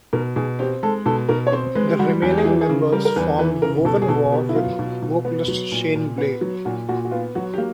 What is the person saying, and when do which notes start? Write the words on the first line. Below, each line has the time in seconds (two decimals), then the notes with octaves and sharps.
The remaining members formed Wovenwar with vocalist Shane Blay.
0.13 B2 A#4
0.36 B2 G#4
0.59 C4 G4
0.83 G#3 A4
1.06 B2 A4
1.29 B2 A#4
1.47 C#5
1.52 C4 C5
1.75 G#3 B4
1.87 G4
1.99 G3 F#4
2.22 E2
2.31 G4
2.38 G#4
2.45 E3 G4
2.61 G#4
2.69 C#3
2.92 G3 A#4
3.05 A#4
3.16 E2 B4
3.39 E3 B4
3.62 C#3 A#4
3.85 B2 A4
4.02 G#4
4.08 B2 A4
4.32 B3 G4
4.49 E4
4.55 F#3 F4
4.79 B2
5.02 B2
5.25 B3
5.48 F#3
5.72 A#2
5.96 A#2
6.18 B3
6.41 F#3
6.65 A#2 F#4
6.88 A#2 F#4
7.05 F#4
7.11 B3 F4
7.35 F#3 F#4
7.54 G4
7.58 A#3